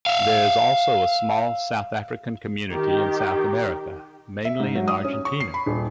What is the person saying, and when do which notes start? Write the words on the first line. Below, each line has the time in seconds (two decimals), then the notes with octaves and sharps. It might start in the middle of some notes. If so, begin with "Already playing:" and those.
There is also a small South African community in South America, mainly in Argentina.
0.06 E5 F5
2.71 D#3 G4
4.45 E5
4.60 G#2
4.75 F#3
4.88 D#6
5.04 C#4
5.25 C#6
5.40 C7
5.54 B5
5.66 D#1